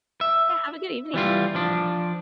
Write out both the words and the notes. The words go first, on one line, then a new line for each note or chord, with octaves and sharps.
Yeah, have a good evening.
E5
E3 G3 F4
F3 D4